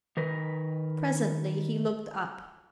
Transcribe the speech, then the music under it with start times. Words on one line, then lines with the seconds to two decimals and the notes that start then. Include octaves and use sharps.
Presently he looked up.
0.17 D#3 A#4 B4